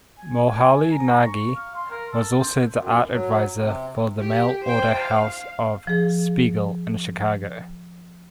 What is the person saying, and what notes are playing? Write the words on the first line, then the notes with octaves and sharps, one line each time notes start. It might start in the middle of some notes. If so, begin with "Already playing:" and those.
Moholy-Nagy was also the Art Advisor for the mail-order house of Spiegel in Chicago.
G#5
G#5
G#5
A#5
C#6
F5
C6
A#4
A4
C5
F#2
F#3
C3
G4
C5 G5
F5
F3 G#4